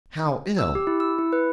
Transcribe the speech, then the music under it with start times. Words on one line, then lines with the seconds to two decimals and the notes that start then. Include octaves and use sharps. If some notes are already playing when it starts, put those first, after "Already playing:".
"How ill?"
0.59 E6
0.75 G4
0.87 E4
1.00 E6
1.19 E4
1.33 B4